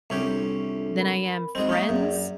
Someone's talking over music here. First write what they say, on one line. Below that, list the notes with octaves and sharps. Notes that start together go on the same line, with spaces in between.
than I am friends
C2 C#4 D4 F4 G4 A4
A#4 B5
G#3 C4 D#4 F#4 D#5
A#3 C#4 D#4 E5 F5
F#2 G#4 D5